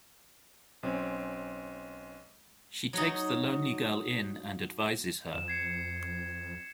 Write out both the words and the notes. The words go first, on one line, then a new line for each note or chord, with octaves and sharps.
She takes the lonely girl in and advises her.
B1 C4 C#4
F#3 D#4
F2 E7
G#6 C7 C#7